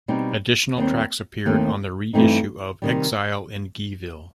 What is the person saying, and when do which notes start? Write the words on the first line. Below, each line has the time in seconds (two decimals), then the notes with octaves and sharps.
Additional tracks appeared on the reissue of "Exile in Guyville".
0.08 B2 G3 C4 D#4
0.77 D#2 D#3 G3 C4
1.46 D#2 D#3 A3 C4
2.13 G2 E3 A3 C4 D#4
2.82 C3 D#3 G3